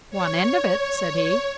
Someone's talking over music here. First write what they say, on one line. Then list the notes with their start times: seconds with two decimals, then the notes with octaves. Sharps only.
"One end of it," said he.
0.10 C#5